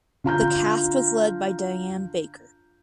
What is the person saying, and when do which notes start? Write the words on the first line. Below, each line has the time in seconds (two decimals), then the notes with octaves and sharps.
The cast was led by Diane Baker.
0.24 D3 F4 A#5 G6